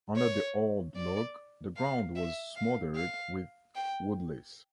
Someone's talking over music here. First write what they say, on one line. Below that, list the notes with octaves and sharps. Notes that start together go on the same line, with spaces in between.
Under the old log the ground was smothered with woodlice.
C#5
D5
F5
E5
F5
F5
G5